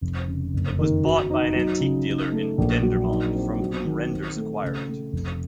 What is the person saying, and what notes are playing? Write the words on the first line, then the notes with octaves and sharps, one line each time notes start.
It was bought by an antique dealer in Dendermonde from whom Renders acquired it.
F1
C#3
F#1
D#3
F#4
D#4
F#3
C#3
D#4
A3
A#1
F#3
D#4
C4
F#3
D#3
C4
A3
C#3
A3
F1